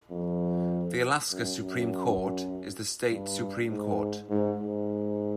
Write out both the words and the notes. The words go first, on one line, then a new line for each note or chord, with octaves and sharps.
The Alaska Supreme Court is the state supreme court.
F2
F#2
F#2
G2
G#2
G#2
G#2